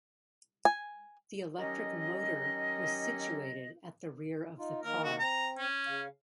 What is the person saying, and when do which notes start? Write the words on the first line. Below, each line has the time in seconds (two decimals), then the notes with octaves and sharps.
The electric motor was situated at the rear of the car.
0.65 G#5
1.58 D#3 F#3 C#4 G4 D#5
4.58 D#4 F4
4.83 D#3 A#3 A#4 A#5
5.04 F#4
5.19 C4 A#5
5.58 C#4
5.87 C#3 F5